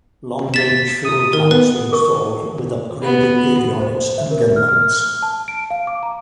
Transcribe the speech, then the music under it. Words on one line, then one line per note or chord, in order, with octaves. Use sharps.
Long range fuel tanks were installed with upgraded avionics and gun mounts.
A6 B6 E7
D#6
D#3 A#4
B3 B4
G#4 A#4 C#6
B3
C5
E5
A#4
F6
F6
F6
A5
D7
F5
D6
A#5